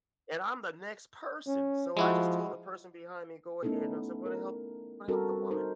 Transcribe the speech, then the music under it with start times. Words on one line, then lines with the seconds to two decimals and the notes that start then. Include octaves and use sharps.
and I'm the next person so I just told the person behind me go ahead no, so I'm gonna help I'm gonna help the woman.
1.47 C#4
1.97 F3 G#3 E4 F#4
3.63 A3 B3 C#4 D#4 E4 A4
4.26 A#4
5.08 G3 C4 D4 F#4 A4 A#4
5.51 D#4 A#4 C5